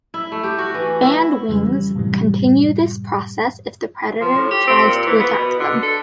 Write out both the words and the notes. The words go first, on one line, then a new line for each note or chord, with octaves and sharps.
Bandwings continue this process if the predator tries to attack them.
E4
A3
G4
F#4
E3
E4
F2 C#3 E3 G3
F#2 A2 C3 E3 G3
F3
A2
G4
C4
A#2
E3
B3
B2
D3
A4